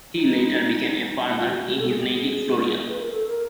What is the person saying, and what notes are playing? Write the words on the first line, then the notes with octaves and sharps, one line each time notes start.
He later became a farmer in his native Florida.
D#4
F4
F#4
F#4
A4
G#4
G4
G#4
B4
A#4
A4
A#4